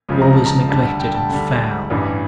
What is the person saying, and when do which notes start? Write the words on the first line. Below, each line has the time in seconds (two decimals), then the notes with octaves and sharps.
All is neglected and foul.
0.09 C#2 C#3 F3
0.22 A#5
0.34 A5
0.46 A#5
0.69 D2 D3 G3 A5
1.00 G5
1.15 A5
1.29 D2 D3 G3
1.90 A1 G2 E3 G3